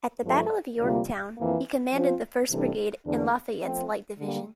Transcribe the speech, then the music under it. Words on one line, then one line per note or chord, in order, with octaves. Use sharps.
At the Battle of Yorktown, he commanded the first brigade in Lafayette's Light Division.
G2 F3 A3
D2 C3 G3 A#3 F4
F2 E3 A#3
F3 C4 F4 C5
C3 E3 G3 D4 A4
E2 D3 A3 D4
F3 A3 C4
D3 G3 A#3